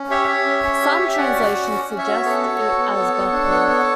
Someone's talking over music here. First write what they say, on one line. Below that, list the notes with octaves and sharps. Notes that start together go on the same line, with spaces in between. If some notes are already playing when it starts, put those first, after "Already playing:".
Some translations suggest it as Bethany.
Already playing: C#4
G4 C#5 E5
G4
C#4
C#4
G4
G4
E5
C#4 D5 F#5
F#4
F#4
C#4
C#4
C#5 E5
F#4
B3 A4 C#5
F#4
F#4
B3
B3
B3
D4
B3
B3